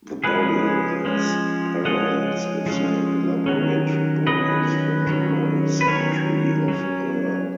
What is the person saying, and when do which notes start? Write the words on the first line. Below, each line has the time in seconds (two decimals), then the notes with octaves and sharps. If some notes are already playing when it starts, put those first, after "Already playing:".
The burial has parallels with the elaborate burials from the Royal Cemetery of Ur.
0.24 F3 G#3 C#4 G#4 B4
1.05 F3 G#3 C#4
1.85 F3 G#3 C#4 D#5 F#5
2.66 F3 G#3 C#4
3.46 D#3 F#3 C#4
4.27 D#3 F#3 C#4 B4 D#5
5.07 D#3 F#3 C#4
5.81 B4
5.87 D#3 F#3 C#4 A#4 C#5
6.68 F#3 C#4